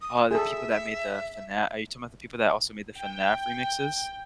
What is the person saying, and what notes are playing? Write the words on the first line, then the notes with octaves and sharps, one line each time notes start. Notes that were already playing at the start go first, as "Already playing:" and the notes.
aw, the people that made the FNA Are you talking about the people that also made the FNAF remixes?
D#6
G#4 A4 E5
G5